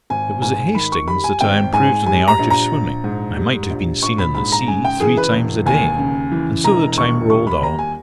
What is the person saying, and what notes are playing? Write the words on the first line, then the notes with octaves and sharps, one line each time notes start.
It was at Hastings that I improved in the art of swimming; I might have been seen in the sea, three times a day; and so the time rolled on.
G#1 G#5
G#2 G#5
D#3 B5
C#6
G3 B5
G#5
G#1 G5
G#2 G#5
G3 G#5
A#5
A#1
A#5
A#1
G#2
G3
A#1
A#1 C#6
B5
G#2 B5
A#5
C#3 G#5
G5
E3 G#4
B4
E1
D#2 G#5
C#3
E3
E1 A#5
D#2 C#6
G3 C#6
B5
D#2 A#5
G#5